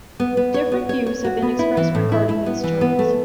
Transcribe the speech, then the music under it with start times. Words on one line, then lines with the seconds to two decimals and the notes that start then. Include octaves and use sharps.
Different views have been expressed regarding these terms.
0.20 B3
0.37 B3
0.54 C#5
0.72 B3
0.89 C#5
1.06 C#5
1.24 F#4
1.42 B3
1.59 E4
1.77 E3
1.95 A2
2.12 E4
2.29 E4
2.46 B3
2.64 E3
2.81 B3
2.99 A3